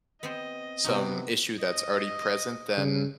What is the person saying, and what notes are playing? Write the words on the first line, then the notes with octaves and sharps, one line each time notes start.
some issue that's already present, then
B3 C4 C5 D#5
C3 B3 D#4 F#4 G5
D#5
C#3